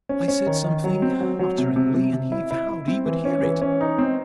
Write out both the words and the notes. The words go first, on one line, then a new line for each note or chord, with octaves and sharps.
I said something mutteringly, and he vowed he would hear it.
C#4
C#4
D#3
D#3
F#3
C4
F#3
F#3
C3
C3
C3
C3
E4
E4
E4
C4
E3
C#4
E3
C#4
D#4
C4